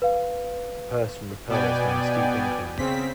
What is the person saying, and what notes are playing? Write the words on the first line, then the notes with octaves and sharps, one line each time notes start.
A person rappels down a steep incline.
B4 F5
B2 B3 D5 G5 G#5
C#3 C4 B6